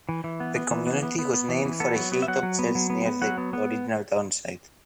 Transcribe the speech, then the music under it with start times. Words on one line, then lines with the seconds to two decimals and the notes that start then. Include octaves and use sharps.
The community was named for a hilltop church near the original townsite.
0.09 E3
0.24 E3
0.40 B3
0.56 B3
0.71 E3
0.87 B3
1.03 B3
1.19 B3
1.34 B3
1.49 E3
1.65 E3
1.80 B3 A4
1.96 F#3
2.12 B3
2.22 E5
2.28 F#3 F#5
2.43 F#3
2.59 B3
2.75 F#3
2.90 B3
3.06 B3
3.22 F#3 F#5
3.38 B3
3.53 B3